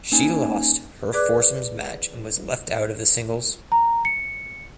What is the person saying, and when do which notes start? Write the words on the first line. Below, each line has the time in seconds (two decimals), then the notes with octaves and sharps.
She lost her foursomes match and was left out of the singles.
0.12 A#3 C#4 D#4 G#5
1.13 G#4 B4 D5 D6 F#6
3.72 A#5
4.05 C#7